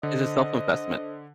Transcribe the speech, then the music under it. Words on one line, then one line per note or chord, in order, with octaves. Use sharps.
It's a self investment.
D3 D4 A4 C5 D#5